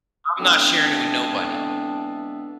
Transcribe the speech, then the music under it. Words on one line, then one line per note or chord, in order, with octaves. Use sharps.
I'm not sharing it with nobody.
D3 E3 G#3 B3 C4 D4